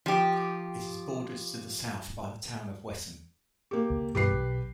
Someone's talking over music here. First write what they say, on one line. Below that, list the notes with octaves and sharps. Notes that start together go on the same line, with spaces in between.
It is bordered to the south by the town of Wesson.
F3 G4
A#3 G4
C#2
G2 B2 E3 G4 B4 C7
B1